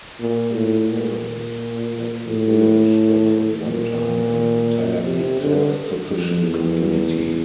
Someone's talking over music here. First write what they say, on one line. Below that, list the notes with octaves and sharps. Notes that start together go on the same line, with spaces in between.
It is apparent that the village was at one time an entirely self-sufficient community.
A#2
A2
A#2
A2
A#2
C3
D3
F2
E2